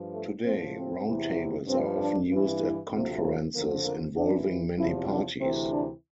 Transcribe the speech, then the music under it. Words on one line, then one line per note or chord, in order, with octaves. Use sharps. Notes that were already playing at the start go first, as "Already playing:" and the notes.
Today, round tables are often used at conferences involving many parties.
Already playing: G2 F3
A3
A2 F3 C4
C4
E2 C3 E3
G2 F3 C4
D4
G2 E3
E4
D2 C3 F3 C4
A3
F2 D3 F3 A#3
A#3
F2 E3 D4
E2 C3 F3 E4
D4
D2 C3 E3 C4
D4